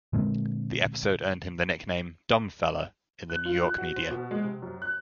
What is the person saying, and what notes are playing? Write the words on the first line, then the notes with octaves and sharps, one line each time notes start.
The episode earned him the nickname 'dumbfella' in the New York media.
A#2 D3 G#3 C4
F#6
F4
F#6
F#4
C5
B2
G#3
C3
F#2
F#6